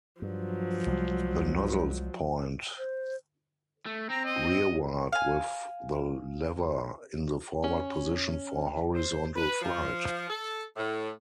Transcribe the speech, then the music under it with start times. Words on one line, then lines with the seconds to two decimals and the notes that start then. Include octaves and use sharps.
The nozzles point rearward with the lever in the forward position for horizontal flight.
0.22 G2 F3 F#3
0.86 C2 G3 G#3
2.78 C5
3.86 A3
4.10 C4 A#5
4.25 D#5
5.12 F5 G#5
7.64 C#4
8.95 C5
9.36 B4
9.62 F3
10.30 A4
10.77 A2